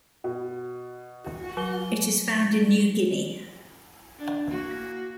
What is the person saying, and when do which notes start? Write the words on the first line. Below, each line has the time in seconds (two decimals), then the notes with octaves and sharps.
It is found in New Guinea.
0.24 B2
1.57 F#3 G7
4.18 D4
4.49 A#3 F#4